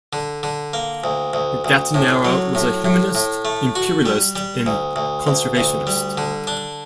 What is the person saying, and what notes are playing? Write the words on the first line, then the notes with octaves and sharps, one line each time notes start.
Gattinara was a humanist, imperialist, and conservationist.
D3
D3
A#3
D2
D2
D2
A2
F#3
A2
A2
A2
A3
F#4
G3
G3
D2
D2
D2
D2
G3
D3
D4